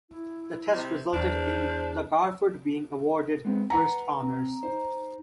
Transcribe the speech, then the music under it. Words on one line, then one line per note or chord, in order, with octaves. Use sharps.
The test resulted in the Garford being awarded first honors.
E4
C3
E2 D4 C5
G#3 B3 C4
B4 F#5 G#5 A#5
C4
D#4 C5